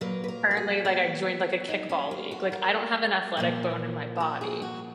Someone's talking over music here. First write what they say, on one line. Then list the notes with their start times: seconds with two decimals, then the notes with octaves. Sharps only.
currently, like, I joined, like, a kickball league, like, I don't have an athletic bone in my body,
0.01 A#2 F#3 A#3 B4
0.24 B4
0.28 A#4
0.51 F#4
0.57 G#4
0.85 B3
1.69 D#4
1.89 C#4
2.11 F4
2.31 F#4
2.52 A#4
3.37 A#2 F3 A#3
4.20 A#4
4.41 G#4
4.62 F#4